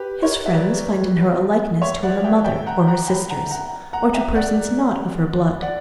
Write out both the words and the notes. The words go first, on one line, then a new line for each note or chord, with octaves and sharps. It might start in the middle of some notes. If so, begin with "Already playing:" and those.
His friends find in her a likeness to her mother, or her sisters, or to persons not of her blood.
Already playing: G4 B4
A#4 C#5
E5
B4 D5
C#5 E5
D5 F#5
E5 G5
E5 G5
F#5 A#5
F#5 A#5
G5 B5
F#5 A#5
F#5 A#5
F#5 A#5
E5 G5
D5 F#5
D5 F#5